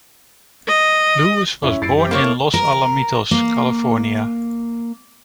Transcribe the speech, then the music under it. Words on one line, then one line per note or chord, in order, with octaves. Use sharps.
Lewis was born in Los Alamitos, California.
D#5
F2 C#4 E4
F#2 E4 A6 C7 D7
C3 G4
A#3 C5 C#5
E4 A4
A#4
A#3